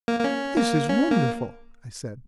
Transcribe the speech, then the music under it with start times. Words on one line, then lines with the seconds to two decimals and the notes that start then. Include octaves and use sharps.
"This is wonderful," I said.
0.08 A#3
0.20 A#3
0.24 C#4
0.57 A#3
0.89 C#4
1.11 A#3